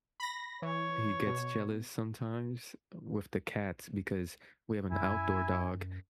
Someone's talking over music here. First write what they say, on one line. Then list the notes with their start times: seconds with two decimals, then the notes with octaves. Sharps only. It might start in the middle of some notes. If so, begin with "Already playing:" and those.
he gets jealous sometimes with the cats because we have an outdoor dog,
0.20 B5 A#6
0.62 E3 C#5
1.27 B2
4.92 F#2 E4 G#5